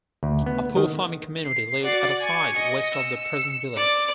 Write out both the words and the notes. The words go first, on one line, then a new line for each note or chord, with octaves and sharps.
A poor farming community lived at a site west of the present village.
D2
B3
D#3
C7
F#4 D5
G#5 C#6
D#5
E6 C#7
D5 D6